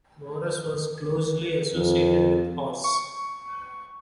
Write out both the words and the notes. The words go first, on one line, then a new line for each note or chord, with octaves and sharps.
Boreas was closely associated with horses.
F2
C#6